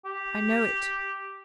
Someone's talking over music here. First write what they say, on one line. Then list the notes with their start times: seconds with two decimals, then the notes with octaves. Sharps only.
I know it.
0.05 G4